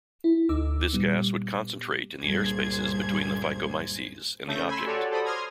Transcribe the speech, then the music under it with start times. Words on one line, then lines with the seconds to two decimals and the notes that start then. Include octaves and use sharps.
This gas would concentrate in the airspace between the "Phycomyces" and the object.
0.24 E4
0.49 D2 D#4 D6 E6
0.93 A#2 G3 B3
2.22 C#2 G2 A#2 G#4 C5 G#6
4.46 C#3 A3 G6 A#6
4.68 G#5 B5 C6 E6
4.85 F#4 G4 A4 C#5 D5
5.10 A4 C5 D5 B5 D#6
5.24 C6 D#6 F6 G#6 A#6